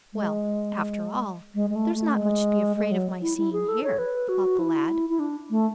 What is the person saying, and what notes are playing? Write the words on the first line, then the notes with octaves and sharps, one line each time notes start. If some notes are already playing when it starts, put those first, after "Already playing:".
Well, after all, there's not much to be afraid of my seeing here, thought the lad.
G#3
G#3
G#3
A3
A3
G#3
G#3
F#3
E4
E4
G#4
A4
C#5
B4
F#4
E4
E4
D4
A3